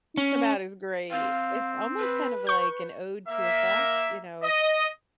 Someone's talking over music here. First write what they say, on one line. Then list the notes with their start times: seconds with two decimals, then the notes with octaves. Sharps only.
Come out as great. It's almost, kind of, like, an ode to a flash, you know,
0.17 C#4
1.11 C4 F5
2.00 B4
2.47 C#6 G6
3.28 A#3 E5
4.43 D#5